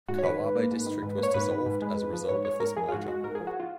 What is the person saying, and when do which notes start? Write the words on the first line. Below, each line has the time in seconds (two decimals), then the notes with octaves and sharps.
Kawabe District was dissolved as a result of this merger.
0.08 G#2 F#4
0.18 C#5
0.23 D#3 B4
0.39 G#2
0.55 A#3
0.71 G#2
0.86 D#3
1.03 G#2
1.18 A#3
1.23 C#5
1.34 G#2 B4
1.51 D#3
1.66 G#2
1.82 G#3
1.97 G#2
2.13 F3
2.29 G#2 C#5
2.45 G#3 C#5
2.60 G#2 A#4
2.76 F3 G#4
2.88 F4
2.92 G#2 F#4
3.08 G#3 F#4
3.24 G#2 A#4
3.35 G#4
3.40 F3
3.47 F#4
3.60 F4